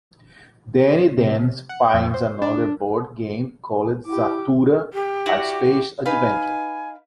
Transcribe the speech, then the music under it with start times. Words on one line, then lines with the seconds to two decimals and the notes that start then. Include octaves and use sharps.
Danny then finds another board game called "Zathura: A Space Adventure".
1.17 C3
1.69 F#5
1.94 F2
2.14 C5
2.42 D4
4.06 E4 G4 D6
4.94 G4
5.26 E4 F#4 D5
6.06 D#4 B4 F5 G#5